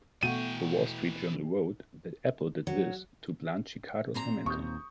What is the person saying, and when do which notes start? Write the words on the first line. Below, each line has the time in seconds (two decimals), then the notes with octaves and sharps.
"The Wall Street Journal" wrote that Apple did this to "blunt Chicago's momentum".
0.23 B2 E3 A3 F#4 G5 D#7
2.67 F#3
4.14 A#2 C4 A#5
4.46 D#2 C#6 D#6 G6